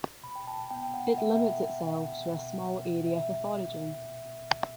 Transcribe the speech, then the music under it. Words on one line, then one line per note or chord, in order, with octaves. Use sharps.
It limits itself to a small area for foraging.
B2 B5
G5
A5
B3 G5
F#5
B2 E5
B2
B2
B2
B2 E5